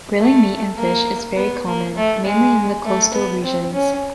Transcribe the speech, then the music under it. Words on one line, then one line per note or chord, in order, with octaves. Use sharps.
Grilling meat and fish is very common, mainly in the coastal regions.
A3
A#3
B3
A#3
A3
G#3
A3
B3
C4
C#4